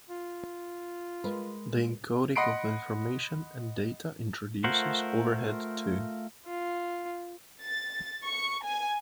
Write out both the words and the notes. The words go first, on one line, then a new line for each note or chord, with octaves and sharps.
The encoding of information and data introduces overhead too.
F4
G#3 A#4 B4
D#5 F#5 B5 C6 C7 D7
A3 F4 A#4 C5 F#5
F4
A6
C#6
G#5